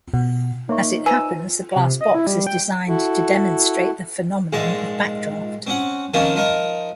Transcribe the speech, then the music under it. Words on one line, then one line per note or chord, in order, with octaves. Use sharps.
As it happens, the glass box is designed to demonstrate the phenomenon of backdraft.
B2
A#3 D#4 C#5 E5 C#6
B4 C5 G#5 A#5 E6
C3
D#5
E4
G3
G5
E4 F#4 A4
A#1 G#2 G#3 A5
C4 C#4 F#5
D#3 F3 A#3 C4 C#4 F4
F3 D#4 A#4